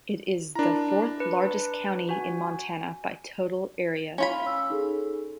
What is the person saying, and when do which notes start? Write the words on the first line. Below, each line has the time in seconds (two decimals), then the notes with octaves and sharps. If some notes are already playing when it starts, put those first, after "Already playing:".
It is the fourth-largest county in Montana by total area.
0.55 D4 E4 A#4 A#5
1.20 B4
2.09 F#4 G#5
4.18 C#4 F4 B5
4.47 E6
4.70 D#4 G#4 A4